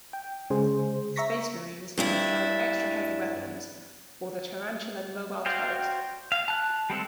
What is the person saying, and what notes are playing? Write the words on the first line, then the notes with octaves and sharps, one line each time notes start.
Space marines may carry extra heavy weapons or the tarantula mobile turret.
G5
C#3 G#3 G#4 C5
E5 A#5 C#6 A#6 B6
G2 D4 E4
F#4 C5 D5 F5 G5
F5
A5 F#6
G3 G#3 C4 A4